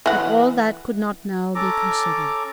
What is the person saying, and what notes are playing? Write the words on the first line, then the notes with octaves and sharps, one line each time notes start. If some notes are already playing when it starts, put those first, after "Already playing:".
But all that could not now be considered.
E3 F#5
C#4 A4 A#5 D6